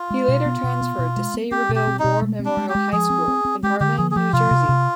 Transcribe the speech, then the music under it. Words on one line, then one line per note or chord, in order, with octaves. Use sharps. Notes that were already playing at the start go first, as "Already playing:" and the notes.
He later transferred to Sayreville War Memorial High School in Parlin, New Jersey.
Already playing: F4
G#3
B2
B3
B2
B3
B2
G#3
B3
C4 G4
B2
G4
C4
D#4
B2
G#3
C4
D4
G#3
G4
G#3
F3 G#4
C4
C4
C4
G#3 G4
D3 G4
F3 G#4
G#4
F3 G4
C3 F4
C3
C3